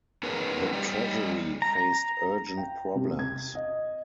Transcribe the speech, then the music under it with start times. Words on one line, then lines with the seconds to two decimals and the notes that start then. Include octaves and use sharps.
The Treasury faced urgent problems.
0.23 B3 D#4 G#4 A#4 B4
0.73 G3 G4 D5 D#5
1.62 A#5
2.58 G5
2.96 C3
3.19 G#6
3.55 D#5